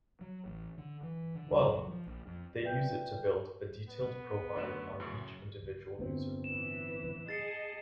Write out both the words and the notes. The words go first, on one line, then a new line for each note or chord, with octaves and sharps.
Well, they use it to build a detailed profile on each individual user.
F#3
A1
D3
E3
D3
G3
F#3
F3
A#1
F2
B4 D5 E5 G5 G6
B3
F#2 D3 A3 E7
F#2 A2 C#3
G1 C4
A2 E3 E7
G#4 D#5 A5 A6 C7 C#7